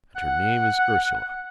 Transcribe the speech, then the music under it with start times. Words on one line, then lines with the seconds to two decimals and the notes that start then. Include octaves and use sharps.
And her name is Ursula.
0.17 F#5